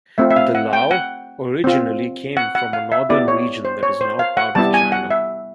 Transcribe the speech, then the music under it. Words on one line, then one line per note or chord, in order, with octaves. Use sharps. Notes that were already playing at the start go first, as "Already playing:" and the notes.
The Lao originally came from a northern region that is now part of China.
A3 C4 F4 E5
E5
F5
F#5
G5
F#5
C4 F4
F#5
F#5
F5
E5
B3 E4 G4 D5
C#5
C5
C#5
C5
F5
F#5
G3 B3 E4 G4 A5
G#5
F#5
E5